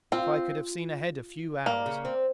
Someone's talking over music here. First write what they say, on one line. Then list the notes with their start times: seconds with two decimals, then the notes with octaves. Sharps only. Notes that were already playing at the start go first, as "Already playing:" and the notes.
If I could have seen ahead a few hours!
0.12 C4 F4
1.66 G3 A#3
1.86 C#3
2.05 C4